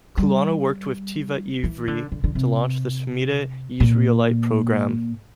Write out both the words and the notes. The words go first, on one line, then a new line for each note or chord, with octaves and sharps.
Kulanu worked with Teva Ivri to launch the Shmita Yisraelit program.
G3
E3
D3
D3
D3
C3
A#2